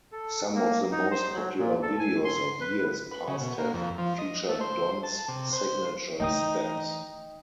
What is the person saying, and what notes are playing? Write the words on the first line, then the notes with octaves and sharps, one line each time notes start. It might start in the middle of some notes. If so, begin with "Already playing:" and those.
Some of the most popular videos of years past have featured Don's signature steps.
A4
A#3
D#4
C5
F#3
A#2
A4
G#5
C6
B4
B4
C#3
B2
A#3
F2
F3
D#5
A3
C5
A5
C3
C5
E3 A3 D#4 D#5 G5 D#6